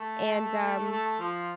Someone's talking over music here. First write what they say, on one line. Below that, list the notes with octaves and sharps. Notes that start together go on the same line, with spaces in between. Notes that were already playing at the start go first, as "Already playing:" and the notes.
And, um,
Already playing: A3 A4
A3 A4
F3 F4